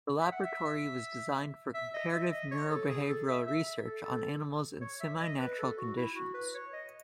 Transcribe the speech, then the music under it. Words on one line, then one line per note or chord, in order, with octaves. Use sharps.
The laboratory was designed for comparative neurobehavioral research on animals in semi-natural conditions.
E5
F#5
E5
E5
D#5
E5
D#5
C#5
A4
G#4
A4
E5
E5
A4
A4
C#5
E5
D#5
B4
A4
F#4
E4
F#4
B4
C#5
D#5